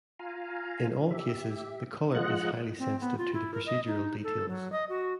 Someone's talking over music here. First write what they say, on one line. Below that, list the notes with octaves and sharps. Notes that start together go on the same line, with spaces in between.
In all cases, the color is highly sensitive to the procedural details.
F4 F5 G#5 A#5
G4 E5
F3 G#3 F4 D#5 F#5 F#6
C4
B3
F4
E4
A#4
D#5
D#4
A4
F#3
D#5
F#4